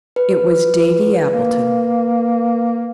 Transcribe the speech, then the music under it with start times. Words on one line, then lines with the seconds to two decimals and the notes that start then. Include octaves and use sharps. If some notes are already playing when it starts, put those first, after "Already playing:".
It was Davy Appleton.
0.16 B4
1.32 A#3